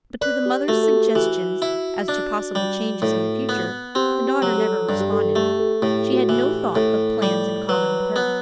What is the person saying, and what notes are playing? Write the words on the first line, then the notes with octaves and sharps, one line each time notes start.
But to the mother's suggestions as to possible changes in the future, the daughter never responded: she had no thought of plans in common with her.
B4 D5
G4
A3 F#4
A4
G4
E3 F#4
E4
D4
G3
A2
B3
C4 G4
G4
F#3
A4
G2
G4
A4
A3 G4
A4
A2 G4
F#4
E3
G4
A2 A4
G3
F#3 B4
B4
B3